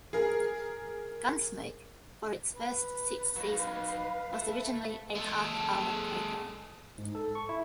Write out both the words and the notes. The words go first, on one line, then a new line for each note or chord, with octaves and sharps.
"Gunsmoke", for its first six seasons, was originally a half-hour program.
G#4 A#4
B4
F#3 D#4 F5
A4 E5
G#3 A4
G#2
A4
C#6
E4